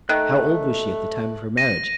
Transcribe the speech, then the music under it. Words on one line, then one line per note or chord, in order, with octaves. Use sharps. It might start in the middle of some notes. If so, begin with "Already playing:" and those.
"How old was she at the time of her marriage?"
D#3 A3 F#6
A#6 D#7